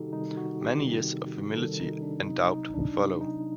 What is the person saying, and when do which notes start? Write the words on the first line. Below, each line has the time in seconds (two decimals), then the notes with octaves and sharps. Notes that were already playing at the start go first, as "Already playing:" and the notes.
Many years of humility and doubt follow.
Already playing: C3 D#3 G3 D#4 F#4 G4 A4
0.13 C3 D#3 G3 D#4
0.37 F#4
0.61 G4
0.84 C3 D#3 G3
1.56 C3 D#3 G3 A4
1.79 D#4
2.02 D4
2.26 C3 F#3 D#4
2.50 D#4
2.74 D4
2.97 C3 F#3 D#4
3.21 D#4